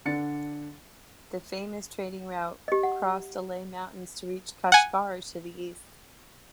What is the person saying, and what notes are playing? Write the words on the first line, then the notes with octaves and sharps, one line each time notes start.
The famous trading route crossed Alay Mountains to reach Kashgar to the east.
D3 D4 A6 C#7
G4 D#5
F#5
F#5 G#5